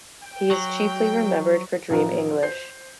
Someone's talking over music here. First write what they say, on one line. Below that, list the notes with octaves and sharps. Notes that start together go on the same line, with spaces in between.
He is chiefly remembered for Dream English.
G5
F#3
A1 F3 F4 A#4 B4
C5 G6 C7